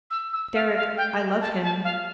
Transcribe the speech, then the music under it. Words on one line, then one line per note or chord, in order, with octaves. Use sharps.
"Deryck--I love him."
E6
E6
F5
F5
G5
A5
A5
F5